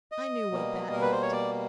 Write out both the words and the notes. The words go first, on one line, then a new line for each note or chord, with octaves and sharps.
I knew what that meant.
D#5
B2 G3 A#3
A#4
B4
C5
C#5
D5